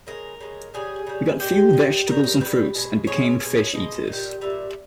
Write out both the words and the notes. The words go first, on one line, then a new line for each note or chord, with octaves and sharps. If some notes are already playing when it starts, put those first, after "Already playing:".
We got few vegetables and fruits, and became fish eaters.
C#3 G#3 A#4
C#3 G#3
C#3 G3 G#4
C#3 G3
A#2 G#3 G4
A#2 G#3
C#3 G3 A#4
A#4
C#3 G3 B4
B2 G#3
B2 G#3 C#5
B2 G#3
B2 G#3 D#5
A#2 G3
A#2 G3 E5